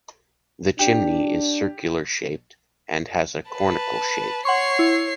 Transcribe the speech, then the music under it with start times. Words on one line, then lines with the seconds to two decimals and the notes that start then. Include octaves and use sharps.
The chimney is circular-shaped and has a conical shape.
0.79 D4 G4
3.51 B4 A5
4.45 C#5 F#5 C6 C#6 C7
4.79 E4